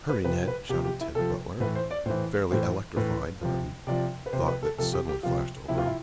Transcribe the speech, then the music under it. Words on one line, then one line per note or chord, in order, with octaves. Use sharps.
"Hurry, Ned!" shouted Tad Butler fairly electrified by the thought that suddenly flashed over him.
B4
C3 F3 B4
B4
C3 F3 G4
G4
E4
C3 F3 A4
A2 E3 B4
C5
D5
A2 E3 C5
A2 E3 C5
A2 E3 B4
C3 F3
C3 F3 D5
B4
C3 F3 C5
B4
A4
C3 F3 A4
G4
G4
C3 F3 F4
C3 F3 E4
F4
E4